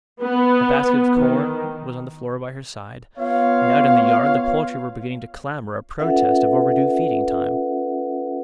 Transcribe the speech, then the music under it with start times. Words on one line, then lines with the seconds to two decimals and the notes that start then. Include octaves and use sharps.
A basket of corn was on the floor by her side, and out in the yard the poultry were beginning to clamour a protest of overdue feeding-time.
0.22 B3
1.14 D#3
3.18 B3 F4 C#5 F5
5.99 C#4 F4 A4 B4 E5 F#5